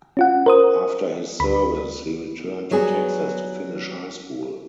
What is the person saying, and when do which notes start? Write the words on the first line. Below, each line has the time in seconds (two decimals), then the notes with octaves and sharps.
After his service, he returned to Texas to finish high school.
0.17 C#4 F4 F#5
0.46 A#4 C5 D#6
1.40 D2 B5
2.71 F#3 G3 B3 G#4